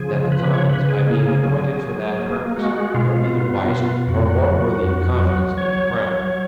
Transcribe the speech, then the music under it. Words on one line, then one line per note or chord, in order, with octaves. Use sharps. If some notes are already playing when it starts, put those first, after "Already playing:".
That the commons, by being appointed for that purpose, are either wiser or more worthy of confidence than the crown.
Already playing: C#3 F3 G#4
C#3 B4
C#5
C#3 B4
G#4
A#3 G#4
F#3
F#3
A#3
G#3 F#4
F#4
B2 F4
F4
B3
B2
F2 F#4
F#3
F2
F#3
F#3 C#5
F#3